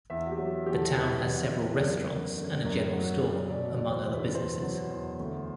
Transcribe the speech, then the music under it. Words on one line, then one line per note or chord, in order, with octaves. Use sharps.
The town has several restaurants and a general store, among other businesses.
E2 E5
F#4
G4
F#3
E2 G4
A4
E2 B4
E2
E2
F#2 D5
F#2
D3
F#2
F#3
F#3
B2 D5
D5
E2
C5
E2
B4
E2 C5
F#3
E2
D2